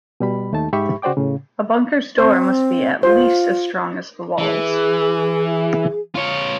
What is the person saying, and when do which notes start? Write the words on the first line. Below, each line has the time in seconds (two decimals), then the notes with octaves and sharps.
A bunker's door must be at least as strong as the walls.
0.20 B2 G3 B5
0.53 D#2 A3 D#4 A5
0.73 G#2 G4 E5 B5 C#6
1.02 C#3 F#4 C5 D5 G5 D6
1.17 A2 C#3
2.18 C4 C5
3.03 F4 C5
4.38 E3 G#4
6.16 F4 C#5